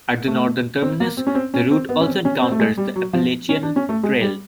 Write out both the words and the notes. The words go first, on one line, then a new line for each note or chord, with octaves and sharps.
At the northern terminus, the route also encounters the Appalachian Trail.
A3
C4
A#3
C4
C#4
C4
C#4
C4
B3
C#4
C4
C#4
C4
A3
G#3
G3
F#3
F3
C#4
D4
C#4
A3
G#3
G3